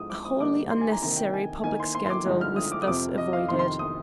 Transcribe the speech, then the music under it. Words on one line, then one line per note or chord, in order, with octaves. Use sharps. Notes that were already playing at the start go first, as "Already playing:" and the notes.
A wholly unnecessary public scandal was thus avoided.
Already playing: G#2 F3 G#3 D#6
D6
D#6
D3 G3 A#3 D#4 D6
C6
G#5
A#5
C3 D#3 A#3 D#4 A#5
G5
G#5
D#3 A#3 D#4 G#5
C6
C6
C6
D6
G2 D3 F3 G#3 D#4
F6
D#6
D6
D#6
F2 C3 F3 C4 D6
D#5
F5
F2 C3 D#3 C6
C6
D#6